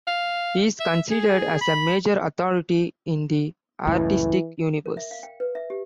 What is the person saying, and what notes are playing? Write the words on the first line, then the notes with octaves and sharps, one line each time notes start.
He is considered as a major authority in the artistic universe.
F5
E5
G#4
B5
C#2 F#2 A2 E3 E4
A#4
E5
F5
G5
B4
E5
G4